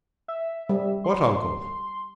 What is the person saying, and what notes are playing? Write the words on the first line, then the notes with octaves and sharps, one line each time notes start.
"What uncle?"
E5
G3
C6